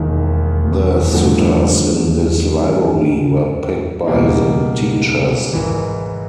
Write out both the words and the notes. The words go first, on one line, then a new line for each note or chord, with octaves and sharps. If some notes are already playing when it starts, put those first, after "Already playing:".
The suttas in this library were picked by the teachers.
Already playing: E1 D#2 D#3
G2 D3 F3 A3
G#2 D#3 G#3 C#4
C#2 B2 G3 A#3 D#4
G#1 G#2 E3